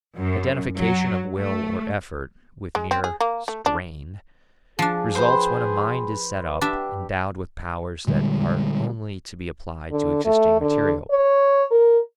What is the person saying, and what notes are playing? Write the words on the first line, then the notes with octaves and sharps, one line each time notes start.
Identification of will, or effort, with mere strain, results when a mind is set up, endowed with powers that are only to be applied to existing material.
F#2
F#3
A3
G#3
C4
G#4
A#3
A3
D4
F3 D4 G#4
B4 C5 G5
D4 G4 E5
A#2 D3 G3 G#3
D3
A3
D3
C#5
A#4